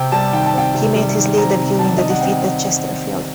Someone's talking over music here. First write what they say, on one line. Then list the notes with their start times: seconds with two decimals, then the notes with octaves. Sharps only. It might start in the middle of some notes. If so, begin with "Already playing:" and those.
He made his league debut in the defeat at Chesterfield.
Already playing: C3 C4 G5
0.12 G3 A5
0.33 D#3 G5
0.46 A5
0.53 C4 G5
0.74 C3
0.96 G3
1.17 D#3
1.38 C4 A#5
1.59 C3
1.79 G3 A5
1.98 D#3 D#5
2.10 F#5
2.21 C4 G5